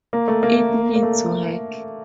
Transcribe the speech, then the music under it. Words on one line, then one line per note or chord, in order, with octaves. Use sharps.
It needs work.
A#3
A3
A#3
A#3
A3